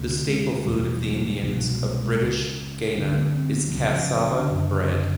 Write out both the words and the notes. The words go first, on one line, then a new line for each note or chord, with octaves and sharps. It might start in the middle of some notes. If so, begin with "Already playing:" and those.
The staple food of the Indians of British Guiana is cassava bread.
Already playing: D2 C3 A3
G#3
E2 B2 G3
F#3
G3
C2 B2 F3
F#3
G3
G#3
C#2 C#3
D2 D3 A#3
B3
C4
B3
F3
C#2 C#3 F#3
F3
F3
D3
F#2 C#3